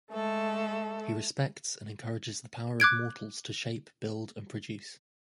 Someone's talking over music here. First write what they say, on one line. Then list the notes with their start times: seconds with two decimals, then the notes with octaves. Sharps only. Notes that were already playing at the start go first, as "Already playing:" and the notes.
He respects and encourages the power of mortals to shape, build, and produce.
0.12 G#3 A3 A4
2.80 D6 F#6 G#6 D7